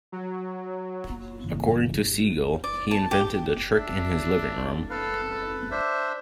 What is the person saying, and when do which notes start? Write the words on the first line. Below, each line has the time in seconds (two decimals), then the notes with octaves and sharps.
According to Siegel, he invented the trick in his living room.
0.12 F#3
1.44 G2 C#3 E3
2.64 D5
2.91 A5
3.11 G4
3.73 D4 E5
4.90 A4 B4 F5
5.31 B4
5.71 D4 C5 E5